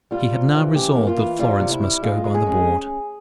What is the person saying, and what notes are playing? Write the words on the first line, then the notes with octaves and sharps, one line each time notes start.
He had now resolved that Florence must go by the board.
G3 F4
C3
E3
C#4 G4
A#3
F4
E3
G3 F4
C3
E4
G3
G#3 F4
G#3
G#4
C#4